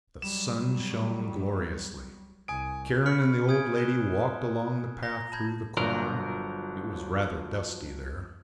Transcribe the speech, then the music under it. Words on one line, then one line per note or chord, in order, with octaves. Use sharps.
The sun shone gloriously; Karen and the old lady walked along the path through the corn; it was rather dusty there.
F#3 G3 E7
C2 G#5 D#6 D7
B5 C#6 F6 B6 C#7
G#5 D#6 G6 G#6 D7
F#6 E7 G7
A#5 A#6 G7
A5 B5 G6 G#6
G1 F3 F#3 A#4